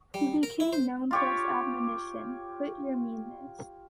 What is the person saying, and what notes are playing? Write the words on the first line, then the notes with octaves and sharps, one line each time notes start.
He became known for his admonition, Quit Your Meanness.
G3
A#4
E4
C5
F4 G4 C#5